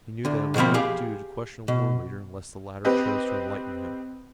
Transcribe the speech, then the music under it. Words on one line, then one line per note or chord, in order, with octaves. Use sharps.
He knew that it would not do to question a war-leader unless the latter chose to enlighten him.
D2 D3
B2 F3 A#3 C4 B5
G4 G#4 F5
B2
C4 G4 B4 D#5